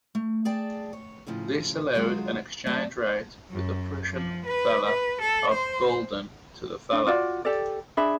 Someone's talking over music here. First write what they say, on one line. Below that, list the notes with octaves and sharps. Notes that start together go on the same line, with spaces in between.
This allowed an exchange rate with the Prussian Thaler of Gulden to the Thaler.
A3
G#4 D5 G5 A5
C#5
D#2 A2 C#3 F3
D3 F#3 G#3 F4 F#4
F#3 A3 D5 A5
F#2
F3
B4
B4
A4
C5
D4
F4 F#4 D5
G4 A4 D5
D4 G#4 E5 B5